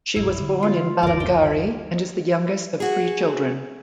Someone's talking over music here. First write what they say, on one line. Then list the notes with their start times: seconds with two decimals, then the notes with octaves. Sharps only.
She was born in Ballingarry and is the youngest of three children.
0.16 E1 A#1 F#2 E4
0.40 D3 G3
0.63 F4
1.03 F#1 D2 G2 A#4 D5
1.20 G5
2.80 F#4 G#4